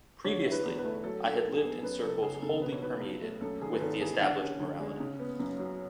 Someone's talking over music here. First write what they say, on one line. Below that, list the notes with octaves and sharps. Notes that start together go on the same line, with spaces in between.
Previously, I had lived in circles wholly permeated with the established morality.
D3 C#5
E4
B4
E2
B4
A3
F#3 A4
D4
A4
G#2
G#4
B3
F#2 B4
F#1 A4
F#1 G#4
C#3 A4
B2 B4
C#5
B1 B4
B1
A3
F#2 A4
G#1 G#4
B4
G#1 A4
E3 G#4
D3 F#5
C#4
D2
G#3
C#3
B3
F#2
F#3